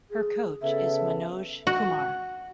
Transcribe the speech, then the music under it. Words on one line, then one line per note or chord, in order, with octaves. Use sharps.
Her coach is Manoj Kumar.
G#4
C#3 B3 A4 E5
F#4